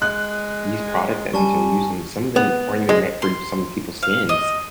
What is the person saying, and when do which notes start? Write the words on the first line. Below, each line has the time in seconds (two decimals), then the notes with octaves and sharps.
these products that these are using, some of them aren't even meant for some of people's skins.
0.02 G#3 F#6
1.33 G3 G#5 A5 C#6
2.36 B3
2.89 G#3
3.22 C6
4.03 F5
4.29 D#5